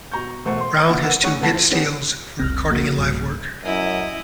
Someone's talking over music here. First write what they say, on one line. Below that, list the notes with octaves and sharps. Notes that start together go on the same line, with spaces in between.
Brown has two guit-steels for recording and live work.
B2 A#5 C#6 G6
E1 A3 C5 F#5 C#6
C6
A#2 D3 F#5
D3 A#4 B4 F#5 E6
D2 C#4 G#4 F#5 C#6 F#6
C#2 A3 B3 F#5 A5
E3 F3 C5
A2 D3 B3 C#4 G4 G#4
F1 C2 C4 F6 A#6
F3 A#3 F#4
B1 G2
F#2 E4 D#5